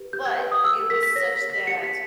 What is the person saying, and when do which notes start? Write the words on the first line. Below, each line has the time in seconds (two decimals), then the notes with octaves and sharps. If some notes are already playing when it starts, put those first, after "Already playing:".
But it was such that
Already playing: G4 B4
0.13 G4 G6
0.26 G#6
0.39 B4
0.52 D#6
0.64 G4 E6
0.90 A#4 B6
1.03 B6
1.16 C#5 A#6
1.32 B6
1.41 G4
1.50 B6
1.67 G4 C#7
1.84 B6